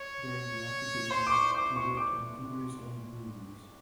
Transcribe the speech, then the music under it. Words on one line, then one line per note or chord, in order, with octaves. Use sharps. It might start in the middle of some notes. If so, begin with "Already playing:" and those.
During the occupation, he worked in theaters and movies.
Already playing: C#5
C5 C6
D6
C#6
C5 D6
C#6
D6